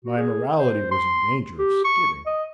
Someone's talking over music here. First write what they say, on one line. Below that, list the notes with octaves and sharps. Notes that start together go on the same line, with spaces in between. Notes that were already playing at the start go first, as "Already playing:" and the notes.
My morality was in danger of skidding.
F#4
G#4
C5
C6
G4
C#6
D#5